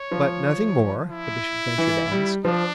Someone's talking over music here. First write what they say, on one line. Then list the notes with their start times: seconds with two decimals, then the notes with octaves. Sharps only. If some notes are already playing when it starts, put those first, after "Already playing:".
"But nothing more?" the Bishop ventured to ask.
Already playing: C#5
0.11 F3
1.11 E4
1.78 E3
2.12 G3
2.44 F3 D4